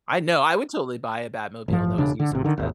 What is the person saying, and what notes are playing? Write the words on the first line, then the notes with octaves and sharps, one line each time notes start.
I know. I would totally buy a Batmobile that was used on set.
A1 G2 F3
E1 C#3 D4
D3
G#1 C3
D3 D#3
G#1 D#2